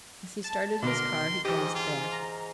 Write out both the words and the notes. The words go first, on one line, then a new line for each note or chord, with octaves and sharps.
As he started his car he glanced back.
A5
B2 D3 A#4 C6
G#2 E3 G4 D#5
F4
A#5